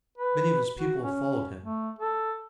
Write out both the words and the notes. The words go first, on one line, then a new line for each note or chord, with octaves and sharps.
Many of his people have followed him.
B4
F#4
C#4
A3
A4